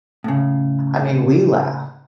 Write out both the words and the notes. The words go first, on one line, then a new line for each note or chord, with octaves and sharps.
I mean, we laugh,
A2 C#3